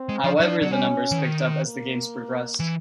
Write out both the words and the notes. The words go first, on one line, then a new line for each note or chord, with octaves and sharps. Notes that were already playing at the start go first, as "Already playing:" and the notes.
However the numbers picked up as the Games progressed.
Already playing: C4
G#3
F3 D4
F#3
F3
F#3
G3 C#4
E3
D#3
A#3
E3